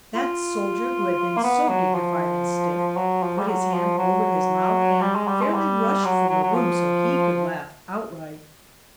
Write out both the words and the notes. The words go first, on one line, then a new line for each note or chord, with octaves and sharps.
That soldier, who had been so dignified and stiff, put his hand over his mouth and fairly rushed from the room so he could laugh outright.
F4
A#3
B3
F#3
F3
F#3
F3
G3
F#3
F3
F#3
G3
G#3
G3
G#3
G3
F#3
F#3
F#3
F3